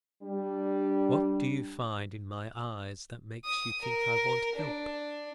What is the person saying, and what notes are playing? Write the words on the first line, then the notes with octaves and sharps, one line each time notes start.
"What do you find in my eyes that makes you think I want help?"
G3 D4
D#6
A#4
D4